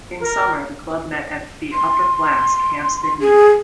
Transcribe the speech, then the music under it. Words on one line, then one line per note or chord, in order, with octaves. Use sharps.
In summer, the club met at the Upper Flask, Hampstead Heath.
A#4
C6
G#4